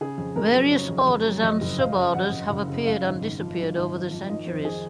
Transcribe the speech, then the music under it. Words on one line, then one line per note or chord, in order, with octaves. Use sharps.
Various orders and suborders have appeared and disappeared over the centuries.
C#3 G#4
F2
F2 A#4
F#3
C#3 C#5
F2
F2
F#3
F2 D#5
F#1
F#1 F5
C#3
F2 F#5
F#1
F#1
C#3
F#2 F5
G#1
G#1
F3
F#2
G#1
G#1
F3
D#3 D#5
F2 C5
G#4